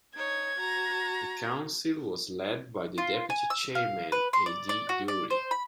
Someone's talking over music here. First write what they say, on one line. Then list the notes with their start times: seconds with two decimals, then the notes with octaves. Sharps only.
The council was led by the deputy chairman, ad-Douri.
0.16 D#4 C#5 G#6
0.58 F#4 A#5
2.98 F4
3.30 G#5
3.50 E6
3.75 F5
4.12 B4
4.33 C6
4.46 D5
4.69 D5
4.89 F#4
5.08 D5
5.30 C5
5.51 B5